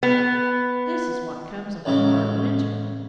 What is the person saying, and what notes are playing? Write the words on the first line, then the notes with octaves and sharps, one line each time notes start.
"This is what comes of a hard winter."
B3
A1 C#3 G#3 E5